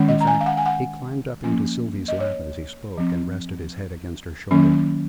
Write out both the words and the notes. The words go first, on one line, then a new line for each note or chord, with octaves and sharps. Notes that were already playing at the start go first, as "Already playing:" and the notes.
In fact, he climbed up into Sylvie's lap as he spoke, and rested his head against her shoulder.
Already playing: D#3 G#3 C#4
D#5
A#5
G#5
F5
F#5
G#5
F#5
F3 A#3 C#4
D#5
C#5
F3 C4
D#3 F#3 A#3 C#4